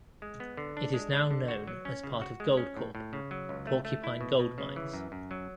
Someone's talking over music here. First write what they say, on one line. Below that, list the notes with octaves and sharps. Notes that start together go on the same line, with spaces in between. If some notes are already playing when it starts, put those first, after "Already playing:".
It is now known as part of GoldCorp - Porcupine Gold Mines.
G#3
B3
D3
D4
G#3
D4
D3
F#4
F#3
C#4
C#3
F#4
G#3
C#4
A2
A2
C#3
F#3
C#2
A3
A3
E4
B2
B2
C#3
E3
F#2
F#2
F#3